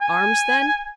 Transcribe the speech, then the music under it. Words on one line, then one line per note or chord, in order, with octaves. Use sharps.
"Arms, then?"
G#5